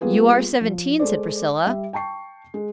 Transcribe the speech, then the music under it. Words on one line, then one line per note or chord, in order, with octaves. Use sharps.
"You are seventeen," said Priscilla.
G3 A#3 B3 F4 G#4 B4
F3
G#3 A4 C5 D5
G3 E5
G5 A5 C#6 C7
G#3